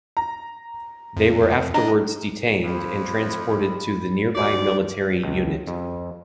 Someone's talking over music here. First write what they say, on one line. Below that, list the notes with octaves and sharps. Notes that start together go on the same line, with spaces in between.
They were afterwards detained and transported to the nearby military unit.
A#5
F2
D4 D#5 A#5
F2 B5
D#2 F#4 D5
C#2
F2